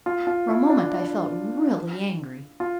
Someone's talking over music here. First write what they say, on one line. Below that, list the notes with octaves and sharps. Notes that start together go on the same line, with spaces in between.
For a moment I felt really angry.
F4
F4
E4
D4
E4
D4
E4
F4